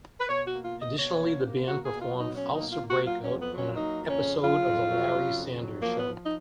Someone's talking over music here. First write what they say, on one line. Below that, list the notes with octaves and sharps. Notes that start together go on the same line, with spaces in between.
Additionally, the band performed "Ulcer Breakout" on an episode of "The Larry Sanders Show".
B4
B2 C#5
F#4
A#3
F4
B2
D#5
B2 C#5
A#3
A#3
A#3 F#4
G#4
B2
F4
F#3
D#4
B2 C#4
D#4
A#3
F4
A#3
F#4
F#3 F4
C#4
F2
B3
F#3 C#4
A#3 D#4
F2
C#4
C#3
F#3 F4
F2
F#3
C#3
F2
F#3
F3 A#3
B3
F3
D#4